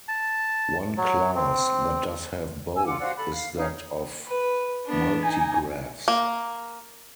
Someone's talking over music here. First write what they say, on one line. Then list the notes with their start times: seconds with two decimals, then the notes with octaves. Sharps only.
One class that does have both is that of multigraphs.
0.08 A5
0.97 F#3
1.36 C4
2.75 G#5 E6
2.87 F4 F#5 D6
3.00 F#4 C5 D5 F5
3.17 A4 B5
3.32 F5
3.56 C#4 D#4 F5
4.26 B4
4.86 E3 B3 D4
5.23 D#4 G#5
6.08 A#3